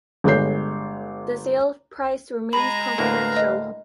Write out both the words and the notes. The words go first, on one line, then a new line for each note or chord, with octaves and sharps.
The sale price remains confidential.
G1 G#3 A4 C#5 G6 C7
G#3 A#5 B5
D2 A2 A#3 B4 F5
D#5